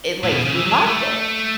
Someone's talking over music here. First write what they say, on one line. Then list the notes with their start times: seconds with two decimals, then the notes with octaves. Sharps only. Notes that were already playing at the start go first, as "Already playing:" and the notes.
it like he loved it!
0.23 A2
0.33 B2
0.45 C#3
0.56 E3
0.66 F#3
0.76 G#3
0.86 A3